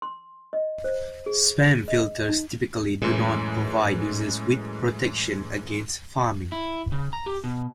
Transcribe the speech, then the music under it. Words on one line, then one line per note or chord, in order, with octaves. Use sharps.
Spam filters typically do not provide users with protection against pharming.
C6
D#5
C5
G#4
D#5
D#4
F#2 A2 E3 G#3
E4
C#3
A#5
G4
B2